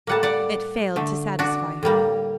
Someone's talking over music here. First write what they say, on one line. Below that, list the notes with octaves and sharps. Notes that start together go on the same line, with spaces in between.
It failed to satisfy her.
A2 G3 A#3 F#5 A5
D5 F#5
D3 A3
D4 F#4
A2 G3 A#3